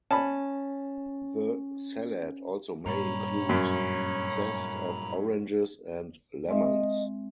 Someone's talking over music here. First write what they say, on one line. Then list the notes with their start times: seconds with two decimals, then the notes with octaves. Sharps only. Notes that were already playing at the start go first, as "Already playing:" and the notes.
The salad also may include zest of oranges and lemons.
0.11 C#4 A5 B5
2.86 G2 A#2 G3 C#4 A#5 B5
3.49 F#2
6.49 G#3 C4 D#5 E5